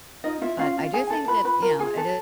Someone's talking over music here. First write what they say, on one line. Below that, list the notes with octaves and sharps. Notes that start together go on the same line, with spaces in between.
but I do think that, you know, it
D#4 F4 D#5
E4 F4 E5
C#4 F4 F5
F4
E4 G#4 G#5
E4 A4 A5
F4 B4 B5
F4 B4 B5
F4 A#4 A#5
F4 G#4 G#5
A4 B4 A5